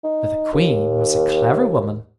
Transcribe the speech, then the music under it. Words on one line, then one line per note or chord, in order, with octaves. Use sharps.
But the Queen was a clever woman.
D#4
D#2